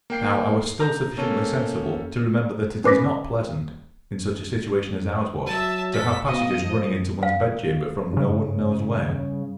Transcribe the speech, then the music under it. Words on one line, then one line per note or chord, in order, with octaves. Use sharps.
Now, I was still sufficiently sensible to remember that it is not pleasant, in such a situation as ours was, to have passages running into one's bed-chamber from no one knows where.
A#3 G5 C7
A#5 G6
A#3 C#4 A4
C#4 B4 D6 A#6 B6
F#3 E5 A5
A4 B6
B2 D#5 F5
F3
F5
G2 C#3